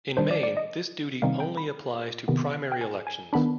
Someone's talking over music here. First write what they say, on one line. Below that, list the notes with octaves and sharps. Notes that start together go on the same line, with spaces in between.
In Maine, this duty "only" applies to primary elections.
D#3 G3 D4 C5
D5
D5
D#5
C3 D#3 G3 C4 D#4 F5
G5
B5
C3 D#3 B3
G5
G#5
G#5
D#3 B3 D4 B5